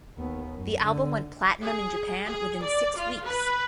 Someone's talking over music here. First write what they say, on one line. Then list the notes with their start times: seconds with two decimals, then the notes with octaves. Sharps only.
The album went platinum in Japan within six weeks.
0.17 D#2 B3
0.54 F#2
0.84 D3
1.62 G#4
2.25 G#4
2.63 D5
2.97 F4
3.27 B4